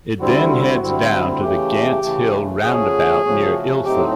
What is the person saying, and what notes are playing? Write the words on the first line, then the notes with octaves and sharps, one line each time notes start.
It then heads down to the Gants Hill Roundabout near Ilford.
D2 D3 G3 C4 E4 F#4
D2 D3 G3 C4 E4
C#3 E3 A3 G4
C#3 E3 A3
C#3 F3 A3 C#4 F#4 G#4
C#3 F3 A3 C#4 F#4
A2 F#3 A3 C4 D#4 G4